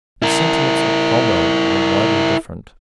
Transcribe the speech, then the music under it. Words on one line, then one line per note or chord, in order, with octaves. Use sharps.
The sentiments of Cromwell were widely different.
E4 A#4